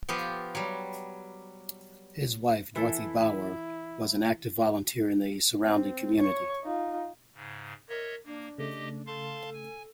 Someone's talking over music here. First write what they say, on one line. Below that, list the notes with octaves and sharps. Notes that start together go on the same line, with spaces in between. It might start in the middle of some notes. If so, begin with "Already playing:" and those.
His wife, Dorothy Brower, was an active volunteer in the surrounding community.
F3 B3 F4 G4
F#3 G3
E3 E4 A4
C4
C#5 C#6
D#4 F4
G#2 C#3
A#4 C#5 D#5 E5
A#3 D4
C#3 A3 G4 D#5
A4 F5 A5 C6
G#5